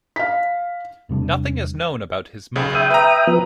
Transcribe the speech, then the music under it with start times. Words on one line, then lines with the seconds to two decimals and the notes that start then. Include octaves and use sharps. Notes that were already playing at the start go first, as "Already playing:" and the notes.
Nothing is known about his mother.
0.16 F5 B6
1.09 E1 C3 G3 D4
2.56 B1 C#3
2.75 E5 G5 D#6
2.90 B4 A#5
3.27 F3 B3